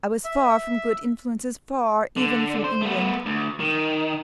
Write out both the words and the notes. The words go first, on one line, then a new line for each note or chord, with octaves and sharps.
I was far from good influences--far even from England.
E5
D3
C5
A3 B3
D2
D#3